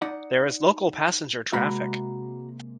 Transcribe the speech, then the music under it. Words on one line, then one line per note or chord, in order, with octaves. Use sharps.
There is local passenger traffic.
D#4 D5 F#5
C3 G#3 A#3 F#4 A#5 B5